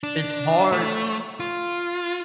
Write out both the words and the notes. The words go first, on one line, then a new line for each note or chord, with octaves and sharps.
it's hard
D4
A3
F4